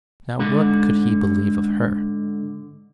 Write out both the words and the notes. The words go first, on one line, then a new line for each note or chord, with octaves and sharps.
Now, what could he believe of her?
G#2 D3